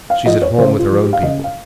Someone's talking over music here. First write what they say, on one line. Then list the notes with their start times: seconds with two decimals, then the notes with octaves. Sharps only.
"She is at home with her own people."
0.10 F5
0.25 F3 D#5
0.42 C#5
0.58 C#3 C5
0.79 F4
0.90 F3
1.01 G4
1.13 F5
1.22 C#3 D#5
1.44 F5